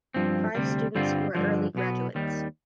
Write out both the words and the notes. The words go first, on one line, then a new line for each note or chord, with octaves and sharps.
Five students were early graduates.
G2 F3 C4
D2 C3 G3
G2 D3 G3 C4 F4
G2 D3 F3
B1 B2 B3
D#2 D#3 G3